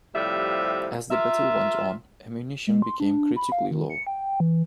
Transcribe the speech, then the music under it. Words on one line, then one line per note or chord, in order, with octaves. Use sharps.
As the battle went on, ammunition became critically low.
A2 C3 F3 G3 E5
F4 A#4 E5
G#3
C6
D4
B5
F5
D#3
C#7
G5
E3